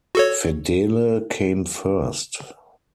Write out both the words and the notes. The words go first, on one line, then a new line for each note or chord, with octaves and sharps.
Fedele came first.
F#4 A4 C#5